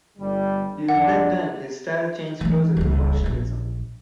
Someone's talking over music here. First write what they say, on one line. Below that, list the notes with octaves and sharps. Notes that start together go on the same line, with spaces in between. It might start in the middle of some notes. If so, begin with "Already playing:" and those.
During that time his style changed closer to functionalism.
G1 G3
F2 F3 D4 F#5
E3 G#3
D#1 C#2
A#1